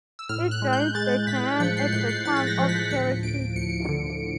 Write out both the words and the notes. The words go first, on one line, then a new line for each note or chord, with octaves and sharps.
It joins the Cheyenne at the town of Cherry Creek.
E6
A2 F6
F#6
G#3
G6
G#3 A6
A2 B6
F3 C#7
C7
A2 C7
C7
A2 A6
B6
A#6
F3
B6
D2 C#7
D2 D7
D2 C#7
D3